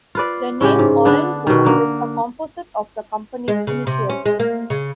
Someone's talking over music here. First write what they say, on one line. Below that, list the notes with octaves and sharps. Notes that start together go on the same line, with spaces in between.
The name Orenco is a composite of the company's initials.
F4 B4 D5
A2 C#3 G#3 G4
G#2
D3 B3 D4
B2 D#3
D3 A#3
G#3
C#3
C3
C#4
G#3
A#3
C#3